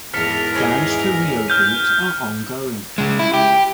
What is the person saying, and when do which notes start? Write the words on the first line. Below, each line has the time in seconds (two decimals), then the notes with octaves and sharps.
Plans to reopen it are ongoing.
0.14 E2 G#2 A#4 A5 F6 B6 C#7
0.55 C#4 G#4 D#5
1.48 F6 G6 D#7
2.98 C#3 G#3
3.19 E4
3.34 G4